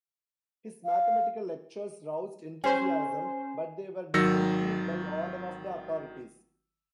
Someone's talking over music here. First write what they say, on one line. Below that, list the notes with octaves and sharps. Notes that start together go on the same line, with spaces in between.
His mathematical lectures roused enthusiasm, but they were discontinued by order of the authorities.
F5
C#4 G#4 C5
G#1 D#3 F#3 E6 A#6 C#7